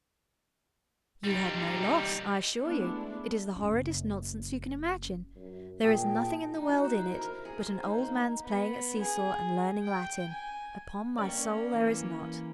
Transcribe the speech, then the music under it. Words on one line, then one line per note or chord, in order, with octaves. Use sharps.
"You had no loss, I assure you; it is the horridest nonsense you can imagine; there is nothing in the world in it but an old man's playing at see-saw and learning Latin; upon my soul there is not."
G3 D#4
G#3 A3 B3 D4 E4
F#1 C#4
F#2
A#2 G#4 G5 A5
D#4
F#4
C5
E4
A#4
A#4
G#4
C5
D#4
A#3
B3
G#4
G5
G#5
A#3 C#4 D5 G5 C#6
E3 D6